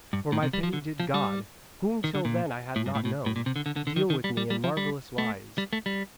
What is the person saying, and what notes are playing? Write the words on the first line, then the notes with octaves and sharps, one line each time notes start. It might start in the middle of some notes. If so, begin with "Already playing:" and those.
For my pity did God, whom till then I had not known, deal with me in marvellous wise.
G2
A2
C3
G3
F3
D3
F3
G3
D#3
D3
A#2
A2
G2
A2
A2
A2
A#2
C3
D3
D3
D3
D3
D#3
D#3
G3
G3
G3
F3
G3
A3
G3
A3
G3